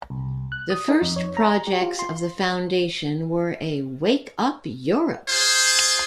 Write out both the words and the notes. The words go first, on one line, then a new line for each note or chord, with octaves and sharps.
The first projects of the foundation were a Wake Up Europe!
C2
F#6
D#6
D#4
F2
C#5
A#5
G4
F4
C6
F4 G#4 C5